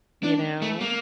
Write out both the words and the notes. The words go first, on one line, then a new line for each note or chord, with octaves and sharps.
you know,
D4
A3
A#3